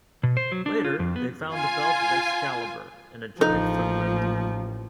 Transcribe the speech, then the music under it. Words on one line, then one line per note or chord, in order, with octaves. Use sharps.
Later, they found the belt of Excalibur in a giant footprint.
B2
C5
F#3
D4
F4
F2
B3
F4 G#5
A1 F3 A#3 D#4 A4